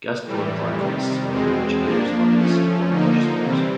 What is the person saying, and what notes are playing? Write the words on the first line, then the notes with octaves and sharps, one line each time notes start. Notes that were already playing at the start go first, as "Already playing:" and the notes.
Guest political analysts include educators, lobbyists, and former legislators.
A2 E3 G3
C3 D#3 G3
E2 B2 G#3 C4
F3 A#3 D4
F3 A3 C#4
D3 F3 A#3 D#4
C3 E3 G3 C4